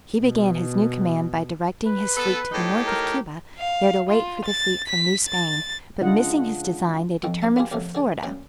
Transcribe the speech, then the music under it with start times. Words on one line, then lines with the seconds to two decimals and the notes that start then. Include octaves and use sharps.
He began his new command by directing his fleet to the north of Cuba, there to wait for the fleet from New Spain; but missing his design, they determined for Florida.
0.21 B2
1.86 B4
2.16 B3 A4
2.52 A2 D#4 G4
2.86 A#4
3.59 F5
4.10 F4
4.45 A6
4.88 B6
5.28 A6
6.01 C#3 G#3 D4 F4 D#5 F#5
7.24 B1 F2 F3 C4 D#5 G5
7.42 A#1 A#3 E4 A5
7.56 A#3 B3 D4 F4 G4 G#4
7.72 D#2 G#2 C3 F3 F#3 A3
7.95 D3 G#4 D5
8.23 F#2 A#2 C#4 G5 G#5 A#5